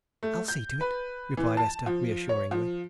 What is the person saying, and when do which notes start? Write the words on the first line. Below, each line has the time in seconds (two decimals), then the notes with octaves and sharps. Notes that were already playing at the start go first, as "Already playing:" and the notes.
"I'll see to it," replied Esther reassuringly.
0.23 A3
0.48 G6
0.81 B4
1.37 E3
1.57 A5
1.86 F3
2.29 C#5
2.51 F3